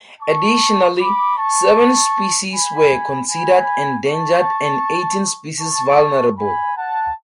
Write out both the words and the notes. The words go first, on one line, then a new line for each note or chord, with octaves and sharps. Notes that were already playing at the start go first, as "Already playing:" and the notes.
Additionally, seven species were considered endangered and eighteen species vulnerable.
A5 C#6
B5 D6
A5 C#6
G#5 B5
G#5 B5
A5 C#6
A5 C#6
G#5 B5
F#5 A5